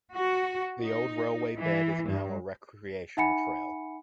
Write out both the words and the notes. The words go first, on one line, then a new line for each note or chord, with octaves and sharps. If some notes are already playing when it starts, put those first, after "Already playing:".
The old railway bed is now a recreational trail.
F#4
D#4
E3
G2
D#4 E5 F#5 G#5 B5 C#7